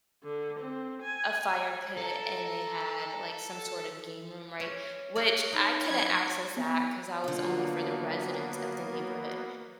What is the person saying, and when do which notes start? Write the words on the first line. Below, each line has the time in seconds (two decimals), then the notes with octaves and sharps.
a fire pit, and they had, like, some sort of game room, right, which I couldn't access that 'cause I was only for the residents of the neighborhood.
0.22 D3
0.59 C4
1.01 G#5
1.41 G#5
1.97 A4 A#5
4.60 C#4 C#5
5.16 F#4 G#4 D5
5.53 D#4
5.85 F#3 B5 G#6
6.57 B3
7.24 D3 F#3 A#3 B3 F4